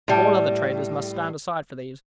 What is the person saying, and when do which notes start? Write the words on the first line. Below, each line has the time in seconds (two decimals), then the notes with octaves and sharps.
All other traders must stand aside for these.
0.08 A2 G3